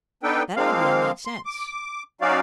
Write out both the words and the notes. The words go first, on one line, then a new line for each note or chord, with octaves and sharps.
That idea made sense.
B3 D4 D#4 A4 B4 G5
F3 G#3 A#3 C4 F5
C6
D6
F#3 C#4 D#4 F#4 D5 F5